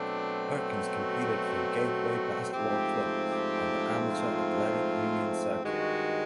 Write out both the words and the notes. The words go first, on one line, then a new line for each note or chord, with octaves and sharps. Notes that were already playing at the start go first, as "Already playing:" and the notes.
Perkins competed for Gateway Basketball Club on the Amateur Athletic Union circuit.
Already playing: B2 F#3 A3 C4 D4
F#4
F#4
G#2 F3 A3 C4 G4
G4
F4
G2 D#3 G#3 F#4